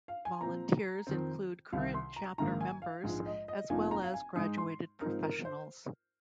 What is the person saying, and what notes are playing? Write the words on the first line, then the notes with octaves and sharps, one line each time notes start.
Volunteers include current chapter members as well as graduated professionals.
F5
G#5
A#2 F3 C4 A#5
F2 D#3 C4
C2 C3 D#3 F5
C6
A#5
A#1 G#2 D#3 A#3 A#5
G#5
F5
A#1 G#2 F3 G#3
D#5
D#5
F1 F2 F3 A#3 D#4 G#5
A#5
F5
G#5
G#2 G#3 D#4 D#6
C6
G#2 F3 C4 D#4 A#4
A#4
C5